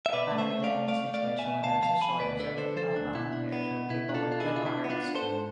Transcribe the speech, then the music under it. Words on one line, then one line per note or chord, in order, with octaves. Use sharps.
into any situation where there's a shortage of of volunteers with people with good hearts
E5
B2 B4 D5
A3
C5 E5
A3
D5 F5
A3
A3 D5 F5
A3
D5 F5
B2
E5 G#5
B2
D2 F5 A5
F3 F5 A5
F3 G#5 B5
D2 B4 D5
D3 B4 D5
D3 A4 C5
F3 A4 C5
D2 D4
B2 E4
D4
B3
B2
B2 E4
D4
F4 A4
B2 F4
E4 G#4
D4
F4
D4 E4
B3
D4 F4
D4
A4 C5
G#2